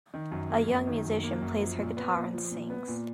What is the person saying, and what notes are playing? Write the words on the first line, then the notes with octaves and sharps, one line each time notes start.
A young musician plays her guitar and sings.
D#3
F#2
A#3
F#2
D#3
F#2
A#3
F#2
F3
A#2
B3
A#2
F3
A#2
B3
A#2